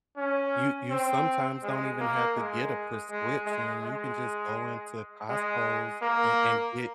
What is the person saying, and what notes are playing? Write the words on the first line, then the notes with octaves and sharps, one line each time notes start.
You you sometimes don't even have to get a prescription. You can just go into Costco's and and get
C#4
C4
G#3
A#3
G#3
G#3
G#3
G#3
G#3
A#3